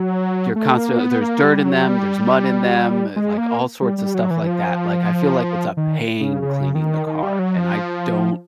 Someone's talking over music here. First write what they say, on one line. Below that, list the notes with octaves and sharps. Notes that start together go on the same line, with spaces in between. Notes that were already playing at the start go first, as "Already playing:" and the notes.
you're constantl There's dirt in them, there's mud in them, like, all sorts of stuff like that, like, I feel like it's a pain cleaning the car, and I don't
Already playing: F#3
A3
A#3
B3
A#3
G3
F#3
G3
G#3
A#3
G3
G3
F#3
E3
E3
F3
D#3
C#3
C#3
D#3
D#3
G3
F#3
F3